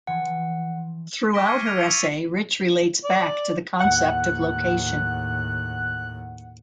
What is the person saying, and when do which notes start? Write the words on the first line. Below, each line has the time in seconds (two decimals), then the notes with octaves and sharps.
Throughout her essay, Rich relates back to the concept of location.
0.07 E3 F3 F#5
1.33 C#6 D6 A#6 B6 D7 G7
1.46 F6 G#6 A#6 C7 C#7 D#7
1.66 F6 G#6 D7 F7
1.77 E6 B6 C#7 D7 F7
1.92 A6 D#7 F7
3.04 D5
3.80 D#2 A2 F#5 F#6